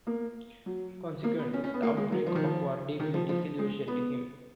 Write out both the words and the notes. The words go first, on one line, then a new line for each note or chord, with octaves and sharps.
Consequently, the outbreak of war deeply disillusioned him.
A#3
F#3
A#3
B3
C#4
C#4
B3
A#3
G#3
F#3
F3
D#3
F3
D#3
F3
F3
G#3
B3